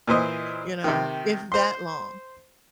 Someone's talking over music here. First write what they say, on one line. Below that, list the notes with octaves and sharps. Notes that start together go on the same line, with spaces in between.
you know, if that long.
A#2 E3 C5 D#5
C3 D#3
C5 C6